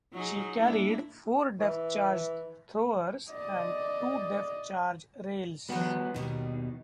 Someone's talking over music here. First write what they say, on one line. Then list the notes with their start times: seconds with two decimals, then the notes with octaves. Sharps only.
She carried four depth charge throwers and two depth charge rails.
0.13 F#3 D#4 G#4
0.56 A#3 D4 E4
1.60 E3
3.32 D5 D#5
5.69 D#3 F3 G3 B3 F#4
6.14 D#2 B2 D#3 G3